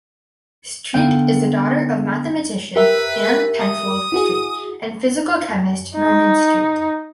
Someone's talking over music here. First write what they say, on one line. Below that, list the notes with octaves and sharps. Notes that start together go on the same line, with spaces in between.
Street is the daughter of mathematician Anne Penfold Street and physical chemist Norman Street.
D3 B3 F5 G5
G4 A#4 B4 E5
D#6
E4 F#4 G#4
D#4